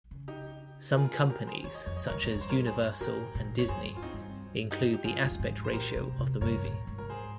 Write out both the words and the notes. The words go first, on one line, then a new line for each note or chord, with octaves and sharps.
Some companies, such as Universal and Disney, include the aspect ratio of the movie.
C#3
D#4 G4
A#4
F4 G#4
A#4
F4 G#4
G4 A#4
G#4 C5
D#3 C#5
D#5
F2 C#5
D#5
G2 A#4 C#5
F2
G2 C#5
C5
A#4 C#5
G#4 C5
A#2 G4 A#4
A#2
F2 C#5
G2 G#4 C5
F4
C4 D#4
G2
D#4 G4
G4
G#2 F4 G#4
F2
G2
G#2
C5
A#2 G4 A#4
C3
C3
G2 A#4 C#5
A#2
G#2
A#4
G#4 C5